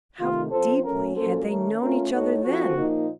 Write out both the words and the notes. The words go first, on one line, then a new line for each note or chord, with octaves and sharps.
How deeply had they known each other then!
C3 D#3 A3 F4
F3 C4 F4 A4 C5
F#3 A3 C#4 A#4
A#2 F#3 A#3 C#4 A4 C5
D#3 A3 C#4 A#4
A3 C#4 F4 A#4
A2 A3 D#4 F#4 A4 C#5
F3 C4 F4 F#4 A4 C5
A#2 F3 A#3 D#4